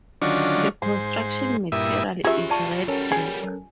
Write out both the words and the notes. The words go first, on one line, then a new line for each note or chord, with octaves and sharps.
The construction material is red brick.
D3 D#3 F#3 C#4 D4 F4
G#2 C5
G2 A#2 E4 E5 D#6
C#4 F4 G4 G#4 E5 F#5
G3 F4 D5 A5 C#6
F#3 G3 C#4 A4 A#4
G#4 G#5